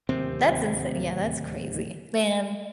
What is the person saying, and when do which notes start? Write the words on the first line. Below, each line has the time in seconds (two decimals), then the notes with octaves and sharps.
That's insa yeah, that's crazy, man.
0.09 D1 D#2 C3 C4